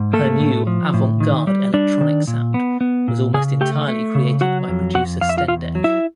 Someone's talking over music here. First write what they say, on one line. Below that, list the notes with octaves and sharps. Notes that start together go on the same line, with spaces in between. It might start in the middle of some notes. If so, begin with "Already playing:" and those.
Her new avant-garde electronic sound was almost entirely created by producer Stendek.
Already playing: G#2
A3 A#3 A4
A2
F3
A2
D#3
G3
G3 D4 D5
D#3
A#2
B3
B3
A#2
C#3 G#4 G#5
A3 G4 G5
A3
C#3
F#3 F#4 F#5
F2
F2 F#4 F#5
F2 F5
E5
F4 F5
E2 F4 F5
F#3
E4 E5